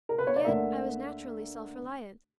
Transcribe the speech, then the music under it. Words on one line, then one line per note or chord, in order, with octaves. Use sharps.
And yet I was naturally self-reliant.
A#4
B4
C#5
D5
D2 D3 A#3 D4 E5